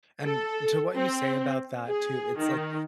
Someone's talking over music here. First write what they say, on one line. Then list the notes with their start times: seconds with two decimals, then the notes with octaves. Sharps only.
and to what you say about that too, it's like,
0.23 A4
0.95 C4
1.86 G#4
2.38 D#3